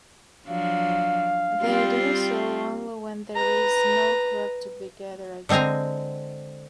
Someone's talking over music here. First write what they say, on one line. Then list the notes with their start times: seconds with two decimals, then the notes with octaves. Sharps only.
They do so only when there is no crop to be gathered.
0.48 F3 F#3 D4 F5
1.62 G3 C4 F4
3.36 B4 A#5
5.49 D3 G#3 C4 G#5 A#5